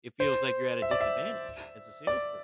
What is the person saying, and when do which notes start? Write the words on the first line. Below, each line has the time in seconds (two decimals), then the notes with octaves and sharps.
it feels like you're at a disadvantage as a salesperson.
0.20 C5
0.82 E5
0.91 D5
1.01 E5
2.07 D5